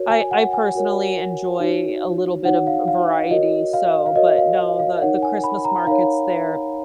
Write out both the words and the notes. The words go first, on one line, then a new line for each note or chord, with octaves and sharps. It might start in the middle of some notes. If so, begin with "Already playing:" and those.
I I, personally, enjoy a little bit of v variety, so but no, the the Christmas markets there
Already playing: F#4 A#4 C#5
G#5
F#5
G#5
F#4 A#4 C#5
D#4 F#4 C#5
D#4 F#4 C#5 F#5
F5
F5
F#4 A#4 C#5 D#5
F5
F5
F#4 A#4 C#5 D#5
F5
F5
D#4 A#4 C#5 F#5
G#5
B5
A#5
D#4 A#4 C#5 F5